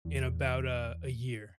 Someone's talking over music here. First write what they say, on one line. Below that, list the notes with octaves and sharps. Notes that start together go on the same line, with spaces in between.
in about a a year.
E2